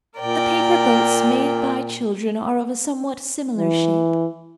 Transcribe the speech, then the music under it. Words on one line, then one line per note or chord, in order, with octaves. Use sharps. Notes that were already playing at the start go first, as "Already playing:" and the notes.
The paper boats made by children are of a somewhat similar shape.
A#2 A#4 D5 G5
E3